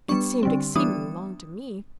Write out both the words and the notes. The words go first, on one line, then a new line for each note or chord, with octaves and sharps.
'It seemed exceedingly long to me.
G3 B3 D4 C#6
D3 G3 C4
E3 G3 B3 D4 D#6